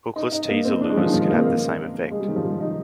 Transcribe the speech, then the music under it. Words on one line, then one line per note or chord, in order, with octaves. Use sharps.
Hookless teaser lures can have the same effect.
D#4
D#4
A#3
C4
D4
G#3
F3
D#3
F3
G#3
A#3
C4
A#3
G#3
G3
D#3
F3
G3
D#4